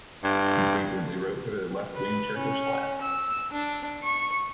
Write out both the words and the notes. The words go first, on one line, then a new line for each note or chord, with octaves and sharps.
He frequently wrote for the left-wing Turkish Left.
G2
B4
C#4
E6
D4
C#6